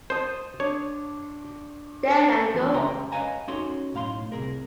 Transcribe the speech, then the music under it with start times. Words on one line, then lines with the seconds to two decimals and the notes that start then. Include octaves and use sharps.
Then I'll go.
0.10 C5 A5 D#6
0.60 D4 C#5
2.54 E3 F4
2.74 C#2 C#3 G4 G5 A#5 C6
3.12 B4 C#5 D#5 F5 G#5 A#5
3.48 C#4 D#4 F#4 A4 C#5 C6
3.94 B1 A2 F5 B5 C6
4.32 C2 C4 G#4 A#4